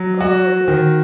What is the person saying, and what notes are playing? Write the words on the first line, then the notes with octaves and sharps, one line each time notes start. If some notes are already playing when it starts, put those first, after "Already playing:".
Oh, boy.
Already playing: F#3
F#4
D#3